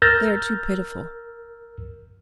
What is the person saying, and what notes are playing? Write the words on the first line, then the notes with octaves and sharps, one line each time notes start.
They are too pitiful.
A#4 E6 F6 G6 A6 A#6